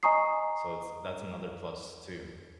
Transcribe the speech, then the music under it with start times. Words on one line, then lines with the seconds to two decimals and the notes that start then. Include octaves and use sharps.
So it's that's another plus, too,
0.03 D#5 G#5 A#5 C#6 D#6 C7